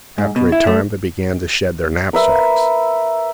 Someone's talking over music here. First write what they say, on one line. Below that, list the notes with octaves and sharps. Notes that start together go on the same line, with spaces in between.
After a time they began to shed their knapsacks.
G#2
B2
E4
A3
A#4 B4 E5